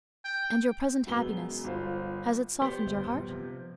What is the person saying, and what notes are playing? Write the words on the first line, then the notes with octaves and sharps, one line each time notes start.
"And your present happiness, has it softened your heart?"
G5
E1 F#2 B3 G7
G1 F4 C5
B3 G4 C5
G1
F#2 A#2 G3
C3 F3